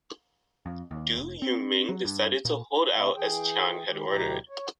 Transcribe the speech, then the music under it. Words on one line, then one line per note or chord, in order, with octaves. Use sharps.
Du Yuming decided to hold out as Chiang had ordered.
F2
D#2
F1
C4
F#3
G2
A#2
C3 A3 E4
E3 G#4 G5
D#3 G#3 G4
D2 B2 F#3 E4 G4 A#5
C#5